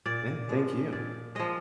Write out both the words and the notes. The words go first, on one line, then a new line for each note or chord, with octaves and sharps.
Yeah, thank you.
A#2 D5
F3 G#3
A#2 D5
F3 G#3 D#5